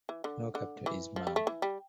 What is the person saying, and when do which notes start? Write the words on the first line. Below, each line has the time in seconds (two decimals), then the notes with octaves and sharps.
The capital is Mao.
0.09 E3
0.24 D3
0.55 D3
0.86 E3
1.16 F3
1.27 G3
1.36 A3
1.47 E3
1.62 G3